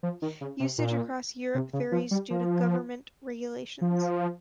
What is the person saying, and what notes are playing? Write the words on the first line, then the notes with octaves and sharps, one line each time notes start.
Usage across Europe varies due to government regulations.
F3
D#3
C#3
C3
A#2
C3
C#3
F3
G3
F3
F3